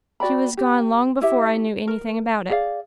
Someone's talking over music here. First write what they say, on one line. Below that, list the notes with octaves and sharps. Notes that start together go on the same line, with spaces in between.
She was gone long before I knew any thing about it.
F#4 D5 G5 B5
G4
E4 G4 E5
A#4
G#4 D5 F5